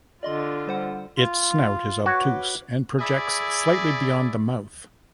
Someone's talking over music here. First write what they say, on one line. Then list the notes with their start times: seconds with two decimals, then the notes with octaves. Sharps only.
Its snout is obtuse and projects slightly beyond the mouth.
0.23 D3 F4 D5 D#5 C6
0.67 G3 C5 F#5
1.17 F4
2.06 F#4 B4 C#5 D6
2.99 E4 G#4 D5